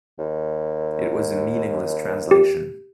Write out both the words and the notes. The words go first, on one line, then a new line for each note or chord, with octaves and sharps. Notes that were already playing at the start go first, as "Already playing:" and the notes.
It was a meaningless translation.
D#2
G4